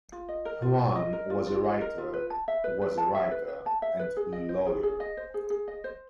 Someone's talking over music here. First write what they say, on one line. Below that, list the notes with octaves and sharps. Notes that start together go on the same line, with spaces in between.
Juan was a writer was a writer and lawyer.
F4
D#5
A#4
F4
F4
D#5
A#4
F4
F4
D#5
A#4
F4
B4
A5
E5
B4
B4
A5
E5
B4
B4
A5
E5
B4
G#4
D#5
C5
G#4
G#4
D#5
C5
G#4
G#4
D#5
C5